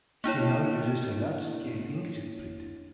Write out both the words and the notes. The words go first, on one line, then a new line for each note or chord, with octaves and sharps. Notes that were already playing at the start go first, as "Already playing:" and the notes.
He now uses a large-scale inkjet printer.
A#3 D4 E4 C#5